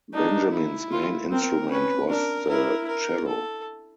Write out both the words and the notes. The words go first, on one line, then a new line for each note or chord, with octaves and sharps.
Benjamin's main instrument was the cello.
D4 D#4
E4
F4
C4 A#4
C#4 B4
D4 A#4
E4 A#4
A#4
A4